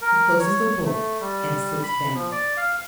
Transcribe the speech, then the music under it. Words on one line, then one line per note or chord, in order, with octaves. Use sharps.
He closes the Book and sits down.
A#4
C#5
A3
G3
B5
F3
D5
F5